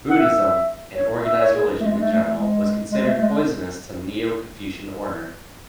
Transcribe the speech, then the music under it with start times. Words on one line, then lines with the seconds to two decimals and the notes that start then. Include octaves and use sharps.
Buddhism, and organized religion in general was considered poisonous to the neo-Confucian order.
0.10 F#5
0.19 E5
0.95 C#5
1.25 E5
1.40 C#5
1.54 G#4
1.81 A3
1.85 G#3
2.00 A3
2.15 A3
2.31 G#3
2.91 G#3
3.05 A3
3.20 G#3